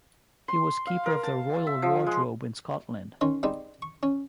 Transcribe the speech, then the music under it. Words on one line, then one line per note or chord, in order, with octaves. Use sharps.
He was keeper of the royal wardrobe in Scotland.
C6
F5
A#4
A5
E5
F3
G#3
D#3 C#4 C6
G3 G#3 C4 D#4
C#6
C#4